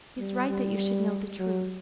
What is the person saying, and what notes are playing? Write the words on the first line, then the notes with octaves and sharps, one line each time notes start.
It is right that you should know the truth.
G3
G3
F#3